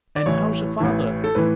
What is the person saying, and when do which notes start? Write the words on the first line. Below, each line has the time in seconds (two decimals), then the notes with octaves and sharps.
"And how's your father?"
0.16 D5
0.26 A1 A2 E3 C#5
0.80 A1 A2 E3
1.24 A4
1.35 A2 E3 B4